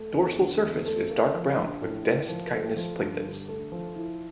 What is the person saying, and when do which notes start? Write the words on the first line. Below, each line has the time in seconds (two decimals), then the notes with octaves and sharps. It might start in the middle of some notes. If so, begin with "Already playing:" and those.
Dorsal surface is dark brown with dense chitinous platelets.
Already playing: A3
0.14 E2
0.38 D3
0.62 E2
0.85 A3
1.09 A#3
1.34 F3
1.57 A#1
1.81 A2
2.05 A#3
2.29 F3
2.53 A3
2.76 F3
3.00 G2
3.25 D3
3.48 A3
3.72 F3
3.96 E4